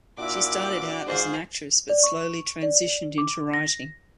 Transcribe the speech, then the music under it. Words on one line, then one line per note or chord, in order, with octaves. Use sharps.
She started out as an actress but slowly transitioned into writing.
A#2 D4 E4 F#4 D5 D6
G#2 F4 G#4 C5
D5
C#6
D5
D6
A#6